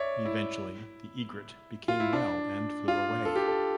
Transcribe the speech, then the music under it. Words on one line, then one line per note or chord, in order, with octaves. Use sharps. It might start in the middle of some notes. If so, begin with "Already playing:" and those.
Eventually the egret became well and flew away.
Already playing: C#5 D5 E5
E4
F4
E4
D4
F4
A4
G4
A4